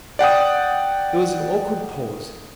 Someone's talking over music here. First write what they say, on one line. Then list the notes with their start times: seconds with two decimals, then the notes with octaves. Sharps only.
There was an awkward pause.
0.19 D5 F#5 G5 D#6